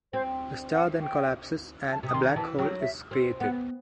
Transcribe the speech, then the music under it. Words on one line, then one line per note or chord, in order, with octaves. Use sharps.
The star then collapses and a black hole is created.
C4 C5
F#5
G5
A5
C3
D#6
D#3 C6
E3 A5
F#3 G5
E5
C4
B3 F#5